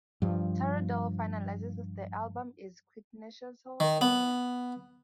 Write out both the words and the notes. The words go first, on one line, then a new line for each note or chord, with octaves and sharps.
Tarradell finalises with the album is "quintessential Enya".
G2 F3
D#3
B3